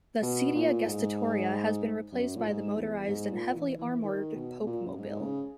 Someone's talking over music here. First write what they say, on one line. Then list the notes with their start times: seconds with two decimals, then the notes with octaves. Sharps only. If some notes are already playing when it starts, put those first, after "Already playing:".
The "sedia gestatoria" has been replaced by the motorized and heavily armoured "Popemobile".
0.22 B2
0.55 A#2
0.86 G#2
2.12 F#2
2.36 A#2
2.45 G#2
2.76 E2
3.08 G#2
3.31 A#2
3.56 E3
3.79 E3
4.03 D#3
4.35 B2
4.60 B2
4.67 A#2
4.86 F#2
4.98 G#2
5.21 C#3